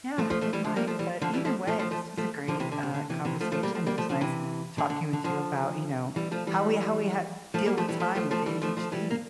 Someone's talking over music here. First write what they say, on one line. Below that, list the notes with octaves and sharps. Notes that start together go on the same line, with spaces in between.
Yeah, it might, but either way, this was a great, uh, conversation, it was nice talking with you about, you know, how we how we hav deal with time with ADHD.
F3 A3
F3 A3
F3 A3
E3 G3
D3 F3
G3 A#3
F3 A3
E3 G3
D3 F3
E3 G3
F3 A3
F3 A3
F3 A3
F3 A3
F3 A3
D3 F3
C3 E3
D3
C3
D3
C3 E3
C3 E3
F3 A3
F3 A3
G3 A#3
F3 A3
G3 A#3
F3 A3
D3 F3
C3 E3
D3
D3
D3
D3 F3
E3 G3
F3 A3
E3 G3
F3 A3
G3 A#3
F3 A3
E3 G3
F3 A3
F3 A3
F3 A3
E3 G3
F3 A3
F3 A3
E3 G3
A#3